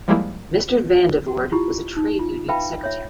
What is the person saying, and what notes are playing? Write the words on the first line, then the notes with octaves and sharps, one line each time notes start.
Mr Van De Voorde was a trade union secretary.
F3 G3 G#3 A#3 E4
F#4
E4 F4 G4
D#4
F4
B4 E5 F5 G5 A5 B5
C#5 E5